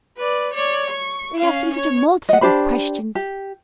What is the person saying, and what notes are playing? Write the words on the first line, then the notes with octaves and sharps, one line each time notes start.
They asked him such a multitude of questions!
B4 D5
C#5 D5
C#6
C#4 F5
C#5
D#5 F#5
D4 G4 C5 B5
G4